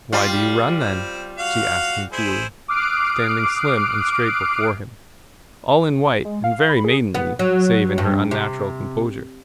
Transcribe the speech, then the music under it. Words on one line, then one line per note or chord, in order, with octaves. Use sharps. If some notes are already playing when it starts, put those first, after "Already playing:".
"Why do you run, then?" she asked him coolly, standing slim and straight before him, all in white and very maidenly save in her unnatural composure.
G3 F4
C4
F#4 F5
E4 G#4 C5
D6 D#6 F6 F#6 C7 D7
G#3
F5
B5
G#4
B3
F#3
G2
C3